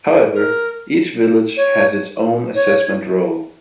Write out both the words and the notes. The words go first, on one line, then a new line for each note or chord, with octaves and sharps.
However, each village has its own assessment roll.
G#4
A#4
C#5
C#5